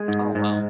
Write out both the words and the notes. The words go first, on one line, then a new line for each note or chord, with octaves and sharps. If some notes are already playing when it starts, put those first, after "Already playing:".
Oh, wow.
Already playing: G#3
G#2
G#2